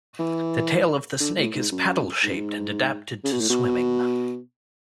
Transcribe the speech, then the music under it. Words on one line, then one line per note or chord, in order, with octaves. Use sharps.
The tail of the snake is paddle-shaped and adapted to swimming.
E3
D3
A2
G#2
F#2
G#2
F#2
G#2
C#3
B2
A2
B2